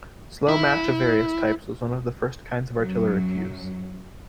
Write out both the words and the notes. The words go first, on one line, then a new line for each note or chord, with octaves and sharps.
Slow match of various types was one of the first kinds of artillery fuse.
E4
F#2 F#3